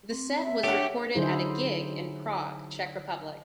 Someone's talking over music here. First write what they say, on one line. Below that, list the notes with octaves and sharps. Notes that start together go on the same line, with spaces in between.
The set was recorded at a gig in Prague, Czech Republic.
C4
E5
A3 D4 G4 C#5 F#5
D3 F#3 D#4 E4 G#4 C5